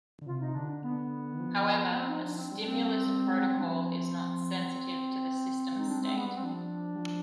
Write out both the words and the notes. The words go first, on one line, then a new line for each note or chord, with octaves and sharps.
However a stimulus protocol is not sensitive to the system state.
D3
C3 F4
D#4
D3 D4
D4
B3
D#3
F3
B3
C4
D#4
D4
C4
G3 C4
D4
C4
G3
G#3
G3
G3 D4
F3 C4
G#3 D#4
G3 D4
C4
G#3
B3
G3
C4
F3 D4
G3
F3